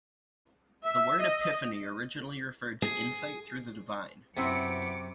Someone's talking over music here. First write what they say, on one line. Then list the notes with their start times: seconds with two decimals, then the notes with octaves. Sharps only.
The word epiphany originally referred to insight through the divine.
0.87 E5
1.23 D#5
2.82 G#4
4.37 F#2 C3 B3 C4 E4 D6 C#7